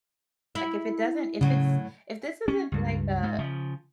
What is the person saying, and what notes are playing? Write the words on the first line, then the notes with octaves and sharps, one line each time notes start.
Like, if it doesn't if it's if this isn't like a
E4
A2 C#3 F#3
C#4
C#2 G2
G#2
C#3 F3